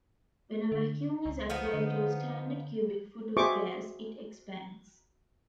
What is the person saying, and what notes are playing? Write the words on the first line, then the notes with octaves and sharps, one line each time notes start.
When a vacuum is applied to a standard cubic foot of gas, it expands.
D3
C#2
F3 B3 D#4
D3
F#4 G#4 C5 E5 C#6 D6